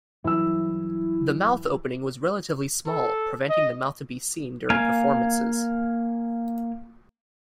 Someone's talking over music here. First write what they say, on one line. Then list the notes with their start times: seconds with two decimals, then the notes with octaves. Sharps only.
The mouth opening was relatively small, preventing the mouth to be seen during performances.
0.24 G2 E3 F#3 E4 E6
2.86 A4
3.50 D#5
4.70 A#3 F5 G#5